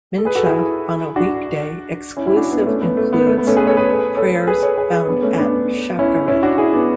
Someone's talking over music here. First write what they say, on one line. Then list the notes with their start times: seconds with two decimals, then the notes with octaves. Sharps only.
Mincha on a weekday exclusive includes prayers found at Shacharit.
0.18 A4
0.25 G#4 B4
0.35 F#4 A4
0.46 E4 G#4
1.16 D4 F#4
2.17 C#4 E4
2.27 C#4 E4
2.36 D4 F#4
2.51 B3 D4
2.66 A3 C#4
2.82 B3
2.97 A3
3.13 B3
3.27 A3
3.38 B3
3.47 A3 C#4
3.57 G#4 B4
3.67 A4 C#5
3.77 G#4 B4
4.17 A4 C#5
4.47 G#4 B4
4.63 A4 C#5
4.77 G#4 B4
4.92 G#4 B4
5.07 B3 D4
5.22 A3 C#4
5.37 B3 D4
5.99 C#4 E4
6.28 C#4 E4
6.43 D4 F#4
6.58 E4 G#4
6.73 B3 D4